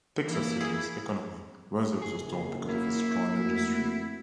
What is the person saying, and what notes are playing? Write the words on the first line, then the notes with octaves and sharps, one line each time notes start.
Texas City's economy weathered the storm because of its strong industry.
E3 A#3 E4
G#4
F#1 F#2 G#4
A#3 E4
F2 A3 F#4